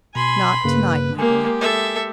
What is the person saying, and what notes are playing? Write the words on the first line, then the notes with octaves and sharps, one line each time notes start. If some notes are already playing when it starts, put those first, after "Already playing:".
"Not tonight, my boy."
B2 G#5 B5 C6
G2 C#3 A#3 B4
G#3 A#3 G4 G#5
A4 E5